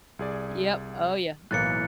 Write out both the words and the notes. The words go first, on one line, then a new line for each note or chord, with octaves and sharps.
yep, oh, yeah.
C2 G#4 D5
B1 A2 E3 A#3 F#6 A6 C#7